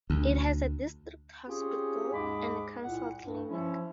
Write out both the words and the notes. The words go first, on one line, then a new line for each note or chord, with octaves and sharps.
It has a district hospital and a council clinic.
D2
C4 C#4 F4 G4 G#4
D#2 G#2 G#3 G#4 B5 D6
C2 A#2 F#5
G2
F3 C#4 E4